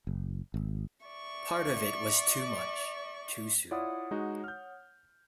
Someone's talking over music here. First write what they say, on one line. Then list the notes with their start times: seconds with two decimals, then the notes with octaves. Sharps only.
Part of it was too much, too soon.
0.07 F#1
0.54 G#1
1.07 D5 E5 C#6
3.71 E4 F4 C#5 D5 F#5 D#6
4.11 G#3 D#4 F#4
4.44 F6 G6